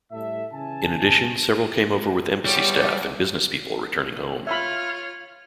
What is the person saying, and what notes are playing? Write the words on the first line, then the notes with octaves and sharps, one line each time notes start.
In addition, several came over with embassy staff and business people returning home.
A2 G3 A4 E5
C#3 E3 G#5 A5
E2 G3 G4 C#5
F4 C#5 E5 B5 F6